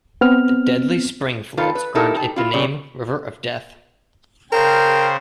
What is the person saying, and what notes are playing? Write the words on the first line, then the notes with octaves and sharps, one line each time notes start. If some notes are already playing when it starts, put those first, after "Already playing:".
The deadly spring floods earned it the name "River of Death".
B3 C4 F6
D#3 F4 A4 B4 F5
B4
D#4 E4 G4 A4 A#4
D#4 A5
E4 F4
A#2 C#3 F#3 G3
C#3 A#4 C5 G5